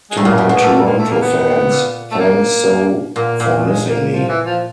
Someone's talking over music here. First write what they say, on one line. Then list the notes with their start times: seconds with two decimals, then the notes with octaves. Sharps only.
To my Toronto fans, thanks so for missing me.
0.10 G#3
0.17 A2 G3
0.25 A#2 F#3
0.38 B2 G3
0.49 B2 G#3
0.61 A#2 A3
0.73 A3
0.85 A#3
0.98 A3
1.10 A#3
1.22 B3
1.70 A#2
2.11 A3
2.19 A#3
3.16 A#2 A#3
3.40 A#2
3.55 A3
3.63 G#3
3.88 A#3
4.13 F3
4.29 E3
4.45 F3